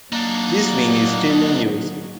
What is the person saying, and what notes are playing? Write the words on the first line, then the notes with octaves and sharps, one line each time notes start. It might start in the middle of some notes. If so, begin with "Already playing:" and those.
This wing is still in use.
F#3 A#3 D4 D#4